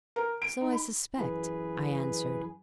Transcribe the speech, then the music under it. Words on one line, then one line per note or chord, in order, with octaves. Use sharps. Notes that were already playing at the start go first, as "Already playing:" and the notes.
'So I suspect,' I answered.
A#4
D7
D#4
B5
F#2 E3 G#4 B4